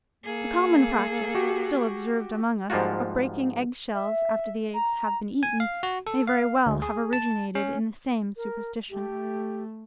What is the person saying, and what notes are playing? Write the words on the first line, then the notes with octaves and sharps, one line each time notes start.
The common practice, still observed among us, of breaking egg-shells after the eggs have been eaten may very well have originated in the same superstition.
A#3 G#4 A4
F#4 G4
G#2 F3 G3 A#3 F4 F#4
E5
A#5
G#5
F5
F#4
A4
F5
D2
G#4
A5
C#4
A#4
A3 G4